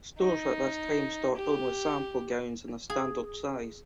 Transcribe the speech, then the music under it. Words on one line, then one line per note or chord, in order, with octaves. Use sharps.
Stores at this time stocked only sample gowns in a standard size.
D#4
G4
G#4